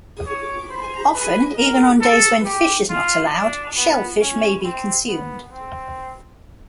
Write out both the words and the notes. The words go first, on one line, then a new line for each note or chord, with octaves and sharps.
Often, even on days when fish is not allowed, shellfish may be consumed.
C#5
C5
B4
A#4
A4
G4
F4
D4
B3
C#4
C4
B3
C4